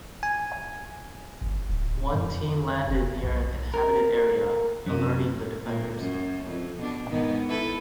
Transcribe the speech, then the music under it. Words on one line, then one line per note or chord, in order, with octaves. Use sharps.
One team landed near an inhabited area, alerting the defenders.
G#5
G1
D1
F2
F1
B1
A#4
F#2 C3
A#2
F#2
F2
B2 D4
G#2 D#3 B3
E4 A4 B4